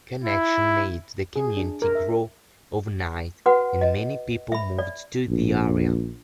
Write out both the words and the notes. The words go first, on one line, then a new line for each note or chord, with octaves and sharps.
Connection made the community grow overnight and many people moved to the area.
E4
G#4
D4
A#4
E5
F#4 B4 F#5
D#5
E5 B5
D5
A#1